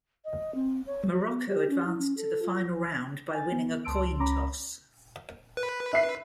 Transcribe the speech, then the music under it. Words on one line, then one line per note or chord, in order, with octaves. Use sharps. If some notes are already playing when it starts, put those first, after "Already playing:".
Morocco advanced to the Final Round, by winning a coin toss.
D#5
C4
C#5
F#4
B3
G4
C#4
E4
C#4
A4
F4
G#5 A6
B3
C#2 A5 C6 E6 D7
C#2 C#4 A#5 B5 D6 A#6
B4
E5 C7